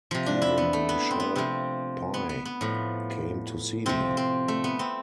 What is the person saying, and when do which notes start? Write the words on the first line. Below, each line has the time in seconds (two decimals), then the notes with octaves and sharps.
Even Michele Pye came to see me.
0.11 C3 F3
0.26 D4
0.42 E4
0.58 B3
0.73 A3
0.89 B3
1.11 C4
1.20 B3
1.35 C3 F3 C4
2.14 B3
2.29 B3
2.45 B3
2.61 A2 F3
3.86 C3 F3 C4
4.17 C4
4.48 A3
4.64 B3
4.79 C4